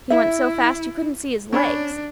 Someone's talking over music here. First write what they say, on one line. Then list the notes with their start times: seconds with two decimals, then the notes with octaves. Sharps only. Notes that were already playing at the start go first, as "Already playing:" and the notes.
He went so fast you couldn't see his legs.
0.10 E4 E5
1.52 C#4 D4 C#5 B5